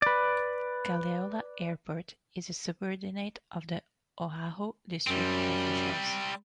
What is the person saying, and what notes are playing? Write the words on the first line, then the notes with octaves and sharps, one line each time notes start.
Kalaeloa Airport is a subordinate of the Oahu District officials.
B4 D5
F#2 G3 C4